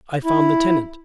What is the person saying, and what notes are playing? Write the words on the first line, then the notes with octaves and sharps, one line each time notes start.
I found the tenant.
E4